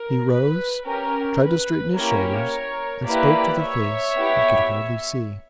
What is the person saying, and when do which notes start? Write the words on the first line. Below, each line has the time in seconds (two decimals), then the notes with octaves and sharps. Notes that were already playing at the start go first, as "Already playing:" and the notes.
He rose, tried to straighten his shoulders, and spoke to the face he could hardly see.
Already playing: A#4
0.30 B4
0.85 C#4 G4 A#4
1.41 B4
1.95 A#3 C#4 E4 G4 A#4 C#5
3.04 A#3 E4 G4 B4 D5
3.60 C#5 E5
4.14 B3 E4 G4